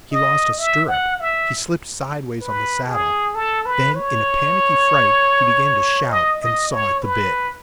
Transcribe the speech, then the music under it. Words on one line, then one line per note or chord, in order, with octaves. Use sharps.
He lost a stirrup, he slipped sidewise on the saddle; then in a panicky fright he began to shout and saw at the bit.
D#5
E5
F#5
E5
B4
G#4
A4
B4
C#5
D#5
D#5
C#5
B4